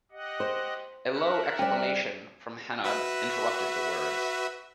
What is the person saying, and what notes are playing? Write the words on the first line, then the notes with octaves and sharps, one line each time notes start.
A low exclamation from Hanaud interrupted the words.
G4 D#5 F#5
C5
A#4 E5 F#5
G3 C#4 C5 D5
F#4 B4 E5